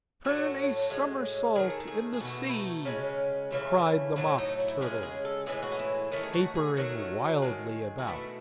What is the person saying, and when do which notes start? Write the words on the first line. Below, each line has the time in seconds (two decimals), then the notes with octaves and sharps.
'Turn a somersault in the sea!' cried the Mock Turtle, capering wildly about.
0.25 A2 F#3 A3 F#4
0.90 A2 G#3
1.55 D#3 A3 G#4
1.88 G#4
2.13 G#4
2.20 B2 A3 F#4
2.49 E4
2.53 D#4
2.85 C#3 E3 G#3 C#4
3.51 C#3 E3 A3
4.16 A2 F#3 A3 E4
4.38 D#4
4.60 E4
4.81 C#3 G#3 G#4
5.03 G#4
5.25 A4
5.46 A2 E3 G#3 G#4
5.63 F#4
5.72 D#4
5.79 E4
6.12 D#3 A3 C#4
6.23 G#4
6.33 F#4
6.55 G#4
6.77 D#3 F#3 A3 F#4
7.42 D#3 G#3
7.98 F#4
8.07 B2 A3 E4